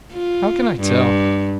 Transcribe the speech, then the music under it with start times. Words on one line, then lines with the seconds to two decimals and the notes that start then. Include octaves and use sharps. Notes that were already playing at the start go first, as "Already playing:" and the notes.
How can I tell?
0.13 F4
0.80 G2